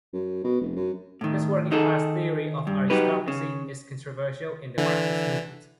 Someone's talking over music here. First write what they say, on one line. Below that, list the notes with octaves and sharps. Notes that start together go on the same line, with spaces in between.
This working-class theory of aristocracy is controversial in the Marxist movement.
F#2
B2
F1
F#2
A2 D#3
D#3 D#4 G#4 A4
G2
F#3 D#4 G4 B4
C#3
D3 E3